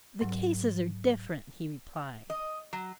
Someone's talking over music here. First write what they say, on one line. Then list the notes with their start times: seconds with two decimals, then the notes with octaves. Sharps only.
'The cases are different,' he replied.
0.21 G#2 F#3
2.30 D#5
2.73 F#3